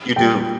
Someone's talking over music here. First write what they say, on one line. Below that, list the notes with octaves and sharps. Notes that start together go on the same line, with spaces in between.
You do.
A#2 G3 G5